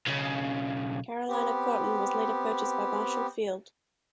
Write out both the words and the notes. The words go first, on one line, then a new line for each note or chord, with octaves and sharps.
Carolina Cotton was later purchased by Marshall Field.
B1 C#3
B3 C4 G4